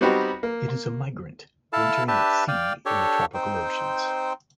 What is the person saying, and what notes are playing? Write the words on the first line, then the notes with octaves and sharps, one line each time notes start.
It is a migrant, wintering at sea in the tropical oceans.
G3 B3 C4 D#4 F#4 G4
A#3
E4 A4 F5 A5
D4 G4 B4 E5 A5
D5 F5 G5
D4 G4 A4 C#5
C4 D#4 C5 G5